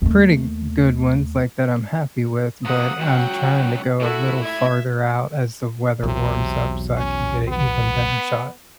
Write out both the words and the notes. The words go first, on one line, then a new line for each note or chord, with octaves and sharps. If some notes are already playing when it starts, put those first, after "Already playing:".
pretty n good ones, like, that I'm happy with, but I'm trying to go a little farther out as the weather warms up so I can get a even better shot.
D#2 A3
C3 A#3 F#5 D#6
C#2 F#3 F#4 G5
A2 E4 F#4 A4
E5 G#6
B1 E2 C3 F#3
C#4
B3